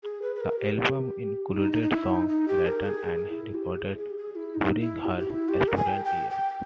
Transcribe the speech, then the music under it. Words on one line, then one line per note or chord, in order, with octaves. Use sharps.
The album included songs written and recorded during her student years.
G#4
B4
B4
A#4
G4
D#4
D#4
D#4
E4
D#4
D#4
G4
A#4
G#4
E4
G4
G#4
G#4
G4
G#4
E4
D#4
E4
G4
E4
G4
E4
G4
A#4
G#5
G5
G5
G5